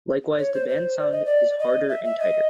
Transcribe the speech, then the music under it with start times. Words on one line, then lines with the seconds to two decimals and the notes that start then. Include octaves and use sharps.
Likewise, the band sound is harder and tighter.
0.39 C#5
0.54 C5
0.69 C5
0.99 D5
1.12 D#5
1.25 D5
1.59 D#5
1.89 E5
2.05 E5
2.19 D#5